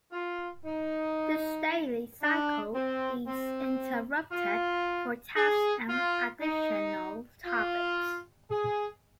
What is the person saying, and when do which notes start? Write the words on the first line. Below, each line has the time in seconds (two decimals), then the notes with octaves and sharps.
This daily cycle is interrupted for tests and additional topics.
0.12 F4
0.65 D#4
2.22 D4
2.74 C4
3.26 C4
4.32 F4
5.36 G#4
5.89 F4
6.40 D#4
7.45 F4
8.50 G#4